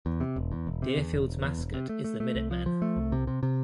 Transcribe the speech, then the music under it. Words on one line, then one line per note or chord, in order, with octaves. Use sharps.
Deerfield's mascot is the Minutemen.
E2
C3
E1
E2
E1
C3
E2
E1
E1
E2
E1
C3
A3
A3
A3
C2
F3
F3
A3
C2
C3
C3
C3